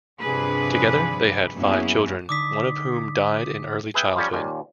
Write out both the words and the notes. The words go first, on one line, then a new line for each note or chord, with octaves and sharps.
Together, they had five children, one of whom died in early childhood.
G2 C3 F3 D4 G#4 B4
F#2 A#3 B3 C#4 E4 G#4
D3 D4 D#4 D6 D#6 B6
G#4 B4 E5 G5
F3 G3 C#4
D#2 A#2